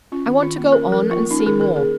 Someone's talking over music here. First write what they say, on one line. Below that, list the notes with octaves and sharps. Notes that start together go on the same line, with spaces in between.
I want to go on and see more.
C#4 F4
D#3
D#3 F4
A#3
C#4 A#4
F3
A#4
F3
F4
A#3
C#4 D#4
G#4
D#3 A#4
D#3 A#4
A#3 G#4